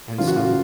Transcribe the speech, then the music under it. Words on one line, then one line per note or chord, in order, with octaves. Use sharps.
And son.
F#2 C#3 E3 F4
F#4
F4